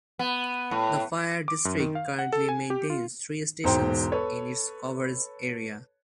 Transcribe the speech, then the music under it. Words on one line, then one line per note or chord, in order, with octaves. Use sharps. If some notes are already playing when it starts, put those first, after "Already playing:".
The fire district currently maintains three stations in its coverage area.
B3
A2
D6
F#2
D#3
F5
F#5
A4
G#5
G4
F4
E1 G#2 C5 G5
A4 B4 C#5